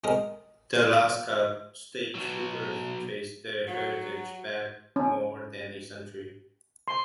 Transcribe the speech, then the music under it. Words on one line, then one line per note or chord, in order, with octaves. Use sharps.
The Alaska State Troopers trace their heritage back more than a century.
G#3 C4 A#4 D#5
B2 F#3
F#3
C#4
C6